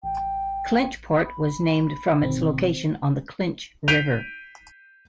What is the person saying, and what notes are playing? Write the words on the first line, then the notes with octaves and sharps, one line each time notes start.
Clinchport was named from its location on the Clinch River.
A1 G5
B5
G1 B2 D#3 C4
G6 B6 C7 D7 D#7 F7